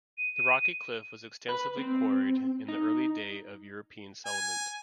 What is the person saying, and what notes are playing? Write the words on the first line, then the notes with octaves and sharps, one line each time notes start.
The rocky cliff was extensively quarried in the early day of European settlement.
D#7
B4
C4
D#4
G#5